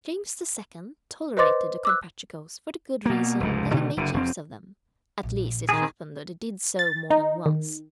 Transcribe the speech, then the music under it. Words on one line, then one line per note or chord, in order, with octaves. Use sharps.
James II. tolerated the Comprachicos for the good reason that he made use of them; at least it happened that he did so more than once.
B4 C5 D#5 C6 D6 A6
D6 E6 F#6
B2 A#3
F1 C#2 G#2
B2 D3 D#3 A3
F#1 D3
F1 C4
A#1
D#3 G#4
A6
D#4
D#3